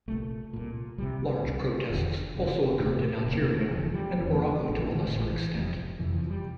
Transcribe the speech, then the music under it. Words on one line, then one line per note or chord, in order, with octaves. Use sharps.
Large protests also occurred in Algeria and Morocco to a lesser extent.
C2 A#2 A3
C2 A#2
C2 C3 G3
C2 C3
F1 E2 D3
F1 E2 D3
E1 D2 C3 A3
E1 D2 C3 A#3
A#3
A3
E1 E2 D3 F3
G3
E1 E2 D3
C4
A#3
D4
A1 A2 C4
E3
D3
A1 A2 E3
F1 F2 C3
F1 F2 C3 E3
F3
G3